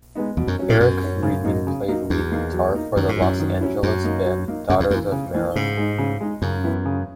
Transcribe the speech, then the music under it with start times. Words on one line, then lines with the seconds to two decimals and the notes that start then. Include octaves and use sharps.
Eric Friedman played lead guitar for the Los Angeles band Daughters of Mara.
0.15 G#3 B3 D#4
0.37 E2 B2
0.47 F#2
0.59 F#3 C#4
0.69 A#2
0.80 F#2 B2
1.01 F#3 C#4
1.23 C#3
1.45 F#3 A#3 D#4
1.67 C#3
1.88 F#3 A#3 D#4
2.10 E2 F#3
2.32 A#3 D#4
2.53 F#3
2.74 A#3 D#4
2.96 F#2 D#3
3.09 G#2
3.18 F#2 F#3 C#4 E4
3.39 D#3
3.61 F#3 C#4 E4
3.83 F#2 F#3
4.04 A#3 D#4
4.25 F#3
4.48 A#3 D#4
4.69 F#2 C#3
4.80 E2
4.90 F#2 A#3
4.93 E3
5.12 C#3
5.34 E3 A#3
5.56 G#2 C#3
5.77 G#3 D#4
5.98 C#3
6.20 G#3 D#4
6.42 F#2 C#3
6.64 E3 B3 E4
6.86 C#3